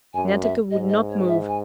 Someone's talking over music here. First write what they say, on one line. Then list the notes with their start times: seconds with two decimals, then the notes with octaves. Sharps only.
Netteke would not move.
0.14 F#2 G#5
0.42 E5
0.71 G#2 D#5
0.89 D#5
1.09 C#5
1.28 E5
1.48 G#5